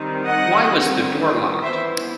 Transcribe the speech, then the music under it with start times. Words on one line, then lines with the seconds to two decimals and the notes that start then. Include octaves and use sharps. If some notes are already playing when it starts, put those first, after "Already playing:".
Why was the door locked?
Already playing: D#3 G3 C4 D#4
0.25 D#5 F#5
0.71 D#3 G3 C4
1.62 E3 B3 E4 C5 E5